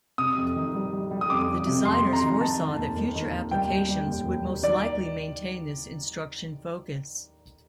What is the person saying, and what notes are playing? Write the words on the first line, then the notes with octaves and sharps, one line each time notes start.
The designers foresaw that future applications would most likely maintain this instruction focus.
C3 D#6
F2
D#3
G3
G3
G3
D#6
F2 D6
F2
C3
F2 C6
F2 C6
A#5
D#3
D#3 A5
D#3
D#2
D#2
D#3
D#2
G3 G5
G3
G3
D#2
D#2
G3
D#3 D5